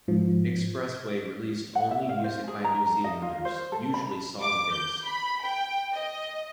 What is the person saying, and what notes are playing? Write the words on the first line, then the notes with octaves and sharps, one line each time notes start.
Xpressway released only music by New Zealanders, usually song-based.
G#2 F3
F#5
E5
F5
C5
G#4
A#5
A4
D#5
F4
C5
A4
B5
D6
G6
B5
G5
D#5